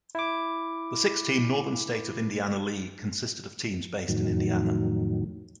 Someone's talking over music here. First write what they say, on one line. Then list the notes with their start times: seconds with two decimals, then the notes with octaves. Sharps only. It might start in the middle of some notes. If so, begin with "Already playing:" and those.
The six–team Northern State of Indiana League consisted of teams based in Indiana.
0.15 E4 D6
4.08 F2 A2 D#3 F#3